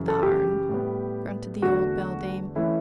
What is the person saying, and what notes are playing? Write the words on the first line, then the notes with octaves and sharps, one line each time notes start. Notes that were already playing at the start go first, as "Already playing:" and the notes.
"Garn!" grunted the old beldame.
Already playing: F#2 C#3 E3
A4
G4
A2 G3 B3
E2 D3 A3 F#4
E3 A3 C#4 E4